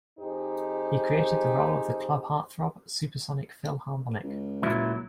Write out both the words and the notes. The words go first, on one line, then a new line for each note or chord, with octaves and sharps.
He created the role of the club heart-throb, Supersonic Phil Harmonic.
F2 D#4 G4 G#4 C5
C#2
A#2 F#3 E4